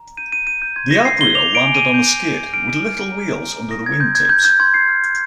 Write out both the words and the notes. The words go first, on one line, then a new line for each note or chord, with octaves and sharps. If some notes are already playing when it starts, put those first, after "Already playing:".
The Abrial landed on a skid, with little wheels under the wing tips.
Already playing: A#5
G6 D#7
D#7
G6 D#7
G6
C6 G#6
A#6
C6 C7
G7
D6 F7
D7
G#5
D#7
G6
G#5
F6 D7
F6
A#5
A#5
D#6 A#6
G#6
C6 G6
G#6
G6
G6
C6 G#6
C7
F6